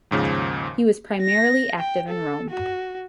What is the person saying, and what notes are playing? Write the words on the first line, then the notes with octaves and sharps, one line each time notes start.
He was primarily active in Rome.
D#2 G#2 C#3 F3
A#6
G5
A4
F#4